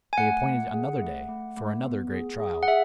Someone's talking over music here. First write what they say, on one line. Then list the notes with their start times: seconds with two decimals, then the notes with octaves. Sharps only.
They appointed another day, for another great trial.
0.13 G#5
0.18 A3 F#5
0.46 A3
0.73 G#4
1.01 A3
1.29 A3
1.57 A3
1.85 B3
2.12 G#4
2.40 G#4
2.63 F#5
2.68 G#4 E5